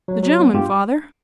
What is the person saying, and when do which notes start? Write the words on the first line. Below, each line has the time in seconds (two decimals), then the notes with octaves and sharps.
'The gentleman, father.'
0.08 F#3
0.23 F#3
0.39 B3
0.54 G2 F4 G4